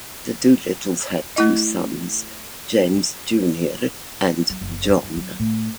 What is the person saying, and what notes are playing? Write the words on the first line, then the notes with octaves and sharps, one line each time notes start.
The Doolittles had two sons, James Junior and John.
A3 E4 D#5
F#3
F#1
F2
F#2
F#3
A2